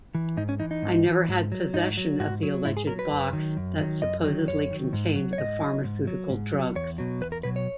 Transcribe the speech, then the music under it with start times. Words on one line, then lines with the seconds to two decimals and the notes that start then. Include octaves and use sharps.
I never had possession of the alleged box that supposedly contained the pharmaceutical drugs.
0.15 E3
0.37 G#2 D#4
0.49 C#4
0.60 E3 D#4
0.71 D#4
0.82 G#2
1.06 E3
1.28 G#2
1.52 F#3
1.74 G#2 D#4
1.97 F#3
2.20 G#2 F#4
2.43 F#3
2.65 G#2 E4
2.77 G#4
2.87 F#3 A#4
2.99 B4
3.11 F#2
3.33 D#3 F#3
3.57 F#2
3.79 D#3 F#3
4.02 F#2 D#5
4.24 D#3 F#3
4.48 F#2 C#5
4.71 D#3 F#3
4.93 G#2
5.16 F#3
5.33 C#5
5.38 G#2 D#5
5.61 F#3
5.84 G#2
6.07 F#3
6.30 G#2
6.52 F#3
6.75 E2 C#5
6.98 B2 F#3
7.21 E2 B4
7.32 A#4
7.43 B2 F#3 B4
7.56 C#5